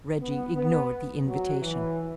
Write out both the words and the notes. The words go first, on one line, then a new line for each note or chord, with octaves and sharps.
Reggie ignored the invitation.
B3
B3
F#3
E3